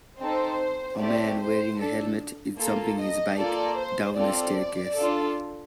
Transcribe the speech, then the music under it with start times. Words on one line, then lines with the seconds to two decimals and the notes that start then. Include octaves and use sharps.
A man wearing a helmet is jumping his bike down a staircase.
0.19 C4 D#4 A4 C5
0.99 A3 C4 G4 D5
1.39 C5
1.79 D4 A4
2.58 A#3 F4 A4
2.99 D#5
3.37 A#3 F4 A4 D5
3.78 C5
4.18 C4 F4 A4 D5
4.97 D4 F4 A4